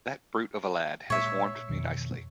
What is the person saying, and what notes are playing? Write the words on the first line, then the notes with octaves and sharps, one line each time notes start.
That brute of a lad has warmed me nicely.
A#2 G#3 A#3 C#5 E5
F2 B2 D#3